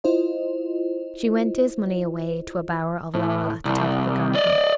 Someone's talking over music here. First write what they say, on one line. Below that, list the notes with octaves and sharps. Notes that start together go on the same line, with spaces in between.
She went dismally away to a bower of laurel at the top of the garden.
E4 F4 C5 D#5
A2
C2
D5 D#5